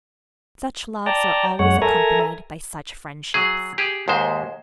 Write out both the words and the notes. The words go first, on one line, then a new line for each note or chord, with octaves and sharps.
Such loves are always accompanied by such friendships.
D5 G5 A5 A#5
F#2 G#3 C#5 F#5
A4 A#4 E5 G#5 A#5
F#3 G#4
G4 G#4
D#2 G#2 G#3 C5